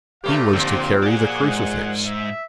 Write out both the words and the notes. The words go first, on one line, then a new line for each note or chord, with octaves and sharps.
He was to carry the crucifix.
A#2 A3 G4 B4 C5 F5
A#2 D3 F3 A#3 C4
A#3 G#4 D5 F#5
G#2
E5